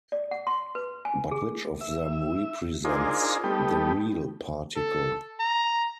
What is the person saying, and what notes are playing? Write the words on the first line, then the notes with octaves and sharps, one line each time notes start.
But which of them represents the "real" particle?
D5
F#5
C6
B4
G#5
G#4
E5
D4 D#4 F4 G#4 A#4 C5
G3 A3 B3 D#4 G4
A4
A#5